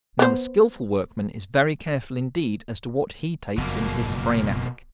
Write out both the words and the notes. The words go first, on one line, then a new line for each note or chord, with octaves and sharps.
Now the skilful workman is very careful indeed as to what he takes into his brain-attic.
B3 C5
F#1 F2 B2 A#3